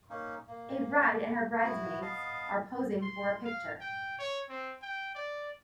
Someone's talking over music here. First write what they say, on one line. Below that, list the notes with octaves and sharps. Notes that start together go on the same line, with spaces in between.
A bride and her bridesmaids are posing for a picture.
A#3 C#4 D#4
A#3
B3 E4 F#4
B3 D#5 F5 A5
C6
F5
G5
C#5
C4
G5
D5